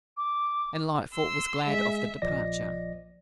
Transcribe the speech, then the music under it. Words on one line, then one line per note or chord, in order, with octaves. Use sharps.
And Lightfoot was glad of the departure.
D6
C6 E6
G#3 E5
A#1 F3 D5 D#5 A#6